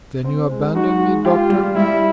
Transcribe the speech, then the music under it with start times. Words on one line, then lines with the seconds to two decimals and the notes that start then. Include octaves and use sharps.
"Then you abandon me, doctor?"
0.24 C4
0.49 G#3
0.75 D#4 F#4
1.00 G#3
1.24 F4 G4
1.49 G3
1.75 G3 E4